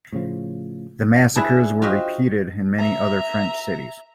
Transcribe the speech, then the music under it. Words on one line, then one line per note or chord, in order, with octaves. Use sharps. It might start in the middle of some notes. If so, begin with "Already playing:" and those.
The massacres were repeated in many other French cities.
A2 C#3 F3
D4 E4 G#4 B4 E5
F4 F#4 C5 D#5 E5 G5
E5 A#5